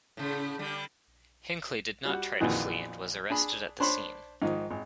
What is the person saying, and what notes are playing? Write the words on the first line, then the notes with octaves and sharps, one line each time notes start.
Hinckley did not try to flee and was arrested at the scene.
A2 C#3
D3 G3
G3 F#4
A#1 F2 D#3 E3 F#4 G#4
D4 G#4 B5
D4 C5 C#5 B5 C6
G#2 D#3 F3 D#4
G#1